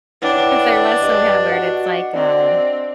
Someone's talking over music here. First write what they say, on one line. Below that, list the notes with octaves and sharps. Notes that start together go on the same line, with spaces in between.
'cause there was some kinda word, it's like, uh
E3 D4 C#5 F#5 G5
G2 D#5
F#4
C4 D4